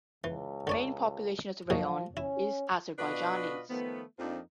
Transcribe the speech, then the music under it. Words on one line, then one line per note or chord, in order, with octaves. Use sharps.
Main population of the raion is Azerbaijanis.
C#2 E3
D3 C#5 D5
A#2 F3 F#3 G#4
C#4 E4
B2 D4 F4 F#4 B4 D#5
D#3 F3 A3 B3
F2 F3 A#3 C4 D4 D#4